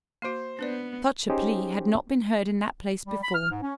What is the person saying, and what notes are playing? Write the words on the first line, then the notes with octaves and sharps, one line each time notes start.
Such a plea had not been heard in that place before.
A#3 F#4 C5 C6 C7
B3 D4 B4 D5
C#4 D#4 G4 G#4 C5 D#5
G3
B5
F6
G#2
C#4